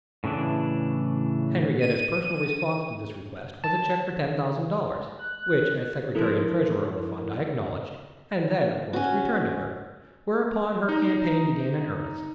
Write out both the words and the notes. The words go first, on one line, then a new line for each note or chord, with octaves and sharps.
Henriette's personal response to this request was a check for ten thousand dollars, which as secretary and treasurer of the fund I acknowledged, and then, of course, returned to her, whereupon her campaign began in earnest.
A2 C#3 E3 D4
D#7
A5
F#6
F3 G#3 E4 A4 A#4
C#4 F#4
D#4 A#5